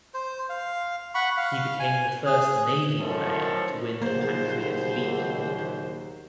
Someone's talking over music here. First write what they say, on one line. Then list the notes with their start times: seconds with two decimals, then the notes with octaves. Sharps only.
He became the first Navy player to win the Patriot League award.
0.14 C5
0.49 F5
1.15 F#5 B5 C#6
1.37 F5
1.80 G#5
2.26 G#4
3.00 F#2 A2 D#3 F3 A4 C#5
4.02 A#1 D#2 C#3 F#3 A#3 C5